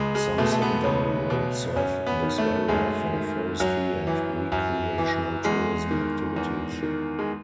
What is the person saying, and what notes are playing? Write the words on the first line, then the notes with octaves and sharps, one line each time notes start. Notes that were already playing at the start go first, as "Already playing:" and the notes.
Some secondary roads serve this area for forestry and recreational tourism activities.
Already playing: C#2 G#3
G#3
B2 A3
A3
B3
C#2 C#4
B2
F#2 C#4
B3
D#3
A3
F#2 G#3
D#3
F#2 F#3
E3
F#2
E3
E2 G#3
D#3
E2
D#3
G#3